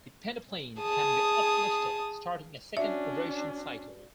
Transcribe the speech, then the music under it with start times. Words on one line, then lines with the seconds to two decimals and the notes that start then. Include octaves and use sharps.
The peneplain can be uplifted starting a second erosion cycle.
0.80 G#4 A5 D#6
2.77 C#4 D4 F#4 D5 E5